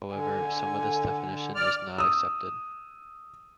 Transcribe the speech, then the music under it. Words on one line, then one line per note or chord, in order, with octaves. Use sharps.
However, some of this definition is not accepted.
D3 G#5
D5 F6
D#6 E6